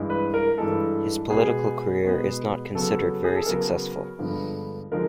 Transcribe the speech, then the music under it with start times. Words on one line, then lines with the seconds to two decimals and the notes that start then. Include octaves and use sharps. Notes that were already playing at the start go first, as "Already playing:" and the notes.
His political career is not considered very successful.
Already playing: G2 E3 G#3
0.10 B4
0.34 A#4
0.58 G2 E3 G#3 A4
1.30 B2 G#3 B3 G#4
2.03 B2 G#3 B3
2.75 C#3 F#3 B3 A4
3.24 G#4
3.35 A4
3.46 C#3 F#3 B3 A#4
4.19 G2 D3 F3 G#3 B3
4.92 D3 F3 G#3 A#4